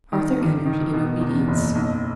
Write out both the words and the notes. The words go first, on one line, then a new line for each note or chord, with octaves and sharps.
Arthur entered, in obedience.
D#3
G2
D#3
B2
E2
F#1
B1